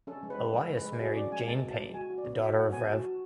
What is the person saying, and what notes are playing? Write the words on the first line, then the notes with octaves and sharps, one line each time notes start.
Elias married Jane Payn the daughter of Rev.
C#4 A4
G#3
B4
G#3
G#3 A4
G#3
B4
G#3
F#4 G#4
C#4 D5
G#3 G#5
G#3 A5
F#4
A5
G#3
F#4 G#5
F#4
D5
B3
F#4 E5
F#4 F#5
B3 G#5
F#4 A5
F#4